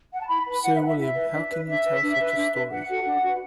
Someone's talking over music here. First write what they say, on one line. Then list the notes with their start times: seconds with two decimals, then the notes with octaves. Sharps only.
Sir William, how can you tell such a story?
0.13 F#5
0.21 A5
0.28 E4 B5
0.46 B4 B5
0.63 E4 F#5
0.75 E5
0.81 B4
0.86 E5
0.98 E4 E5
1.15 B4
1.32 D4
1.50 B4
1.67 D4 E5
1.85 B4
2.02 D4
2.19 B4
2.36 D4
2.53 B4
2.71 D4 F#5
2.89 F#4 A4
3.06 D4
3.23 F#4 B4